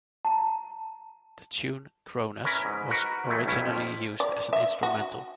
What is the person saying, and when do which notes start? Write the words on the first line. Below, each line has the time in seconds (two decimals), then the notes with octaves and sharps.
The tune Cronus was originally used as an instrumental.
0.25 A5 A#5
2.45 C#4 E4 A#4 B4
2.65 G#2
2.90 F#4 A#4 B4 F#5
3.29 A2 E3 F#3 A3
3.46 B1 G2 C#4 E4
3.62 F2 F3
4.20 D5
4.53 E5
4.83 F#4